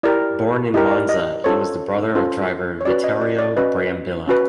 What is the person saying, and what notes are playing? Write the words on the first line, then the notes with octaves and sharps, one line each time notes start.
Born in Monza, he was the brother of driver Vittorio Brambilla.
E4 G4 A#4 D5
E4 G4 A#4 D#5
D5
D#5
C#4 F4 A4 C5 C#5
C#4 F4 A4 C5
C#5
C#4 F#4 B4 D5
D#5
D5
D5
C#4 F#4 B4 D#5
C#4 F#4 B4